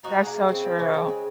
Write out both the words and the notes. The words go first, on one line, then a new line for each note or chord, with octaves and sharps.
That's so true.
F3 D#4 F#4
G#3
A#3
G#3
C#3 C4
F3
C#3
C#3
G#3